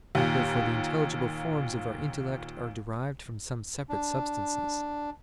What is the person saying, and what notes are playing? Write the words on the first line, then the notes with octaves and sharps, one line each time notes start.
Therefore the intelligible forms of our intellect are derived from some separate substances.
D#2 A#2
D4